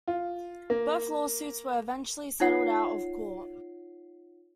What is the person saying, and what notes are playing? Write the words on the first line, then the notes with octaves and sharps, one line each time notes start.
Both lawsuits were eventually settled out-of-court.
F4
A#3
D#4 F4 C#5 F#5 C7